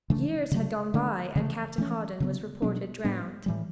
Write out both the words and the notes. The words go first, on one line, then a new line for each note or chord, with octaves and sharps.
Years had gone by and Captain Hawdon was reported drowned.
C#3 E3 A3 D4
C#3 F#3 A3
D3 A3 D4
C#3 E3 A3
E3 A3 C#4
C#3 F#3 B3
B2 F#3 B3 D4
A2 G3 B3 D4
A2 E3 G3